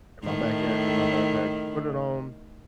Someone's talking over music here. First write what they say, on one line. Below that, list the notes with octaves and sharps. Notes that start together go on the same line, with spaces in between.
in my back a in my backpack, put it on,
A2 D#3